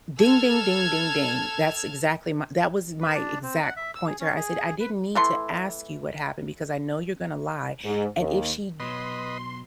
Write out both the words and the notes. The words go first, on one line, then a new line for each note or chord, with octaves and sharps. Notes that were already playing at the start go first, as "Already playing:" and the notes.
Ding, ding, ding, ding, ding. That's exactly my that was my exact point to her, I said, "I didn't need to ask you what happened because I know you're gonna lie. And if she
A4 A5 E6 F6 G#6
B4
D4
C4
F#5
E5
E6
G#4
C#4
G#4
B4
E3 A3 C6
G#2
D#2
B2 F#3 B4 D#5 C6